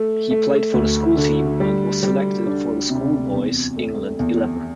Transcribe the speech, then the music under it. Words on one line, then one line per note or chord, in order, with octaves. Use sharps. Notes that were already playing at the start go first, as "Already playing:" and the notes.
He played for the school team and was selected for the schoolboys' England eleven.
Already playing: A3
A3
D2
D3
G3
G3
D4
C3
E2
A3
E2